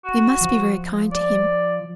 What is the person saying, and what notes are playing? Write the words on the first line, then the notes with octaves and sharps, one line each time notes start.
We must be very kind to him.'
F#4
F3
D5